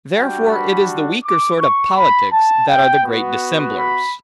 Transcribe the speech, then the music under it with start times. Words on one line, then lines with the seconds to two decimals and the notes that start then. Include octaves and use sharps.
Therefore it is the weaker sort of politics, that are the great dissemblers.
0.16 G3 D4 F#4 G5
0.52 B5
1.24 D6
1.60 C#6
1.95 B5
2.31 A5
2.67 G5
3.03 B3 F#4
3.75 B5